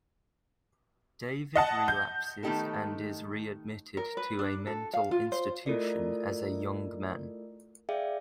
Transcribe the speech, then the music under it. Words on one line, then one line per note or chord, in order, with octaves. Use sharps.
David relapses and is readmitted to a mental institution as a young man.
D#5 F#5 A5
G6
D#3 A3 B3 D#4 G4 A4
A#4
B4
D4
A4
F5
F4
C5
A3 E4 F4 A4 A#4 D5
G#4 D5 E5 F5 G5